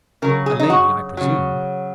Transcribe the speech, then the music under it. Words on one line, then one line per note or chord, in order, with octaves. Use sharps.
A lady, I presume.
C#3 F#3 A#4
G#4
D#4
F#4
C#3 F#3